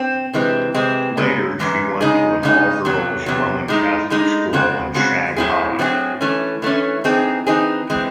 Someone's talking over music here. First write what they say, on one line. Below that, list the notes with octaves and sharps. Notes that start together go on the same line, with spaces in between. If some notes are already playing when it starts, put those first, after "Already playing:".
Later she went to an all-girls Roman Catholic school in Shanghai.
Already playing: C4
C3 E3 G#3 C4
C3 E3 G#3 C4
F#2 C#3 G#3
F#2 C#3 E3 G#3
C#3 G#3 D#4 G#4
C#3 G#3 D#4 G#4
E2 C3 F#3
E2 C3 F#3
A2 G#3 D#4
A2 G#3 D#4
C#3 G#3 C4 F#4
C#3 G#3 C4 F#4
A2 F#3 C4 E4 G#4
A2 F#3 C4 E4 G#4
E3 A3 C#4
E3 A3 C#4
E3 C4 D#4 G#4
E3 C4 D#4 G#4
E3 G#3 C4